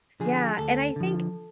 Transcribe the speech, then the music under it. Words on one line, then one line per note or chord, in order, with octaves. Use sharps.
Yeah, and I think
D3 F3 G#4
D2 A4
D3 F3